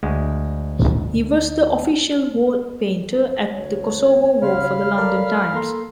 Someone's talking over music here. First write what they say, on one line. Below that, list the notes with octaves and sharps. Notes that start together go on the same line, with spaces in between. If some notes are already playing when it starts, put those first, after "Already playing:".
He was the official war painter at the Kosovo War for the "London Times".
D2 G#3
D2 C#5
C#3 C5 F5 B5 F6
A4 A#4 D5
A#3 A4 A#5 C6